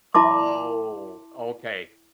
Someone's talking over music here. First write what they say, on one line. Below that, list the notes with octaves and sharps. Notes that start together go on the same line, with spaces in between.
Oh, okay.
E4 E5 A5 C6 D6